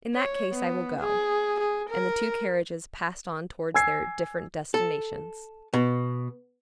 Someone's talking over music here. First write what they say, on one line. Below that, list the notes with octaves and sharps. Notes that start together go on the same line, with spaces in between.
"In that case I will go." And the two carriages passed on towards their different destinations.
C#5
B3
G#4
G#4
A#4
G#5 E6 G#6 C7
A4
B2